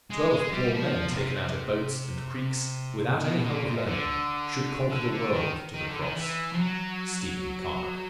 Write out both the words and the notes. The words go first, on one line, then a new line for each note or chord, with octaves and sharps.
Twelve poor men taken out of boats and creeks, without any help of learning, should conquer the world to the cross. --STEPHEN CARNOCK.
G#3
G#3
G3
F3
B2
C3
B2
A#2
G#2
D3
D3
D3
D#3
D#3
D3
D#3
E3
F3
F#3